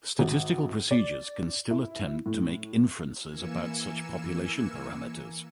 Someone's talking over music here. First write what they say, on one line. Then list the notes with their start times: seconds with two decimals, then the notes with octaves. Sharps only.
Statistical procedures can still attempt to make inferences about such population parameters.
0.19 G#1
0.91 D5
1.71 E4
2.26 A2
3.27 E3 A#3 G#5 E6 C#7 E7